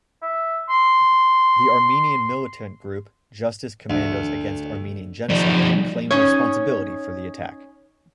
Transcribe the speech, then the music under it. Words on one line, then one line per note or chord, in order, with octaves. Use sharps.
The Armenian militant group, Justice Commandos Against Armenian Genocide, claimed responsibility for the attack.
E5
C6
D2
F2 D#4 D5
C#4 D#4 C#5